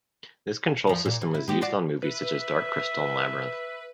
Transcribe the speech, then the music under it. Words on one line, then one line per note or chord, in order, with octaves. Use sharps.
This control system was used on movies such as Dark Crystal and Labyrinth.
E2 F3
A#2
E3
E4
G#3 G4
F4 F#4 D5
B4 E5